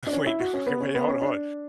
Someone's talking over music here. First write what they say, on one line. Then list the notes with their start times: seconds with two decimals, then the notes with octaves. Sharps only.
Wait. Okay, wait, hold on hold on,
0.07 D4
0.13 C#4
0.26 E4
0.40 F#4
0.53 C#4
0.67 B3
0.80 C#4
0.95 B3
1.08 C#4
1.22 D4